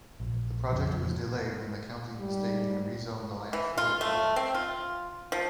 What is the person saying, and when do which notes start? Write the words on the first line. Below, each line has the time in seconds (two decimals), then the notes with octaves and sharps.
The project was delayed when the county mistakenly rezoned the land for the project.
0.20 A#1
0.72 F2 C#3 F#3
0.95 F1 F3
2.19 G#2 G3
3.53 E3
3.78 F4
4.01 A3
4.36 C4
4.54 F4
5.32 F3